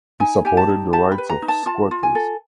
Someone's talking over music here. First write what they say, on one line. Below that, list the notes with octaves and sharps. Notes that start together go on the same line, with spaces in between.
He supported the rights of squatters.
D#4 G#5
G4 G#5
A5
D#4
G4 A5
B5
B4
A#5
D#4
A5
F4 A5
F4
G#5
A4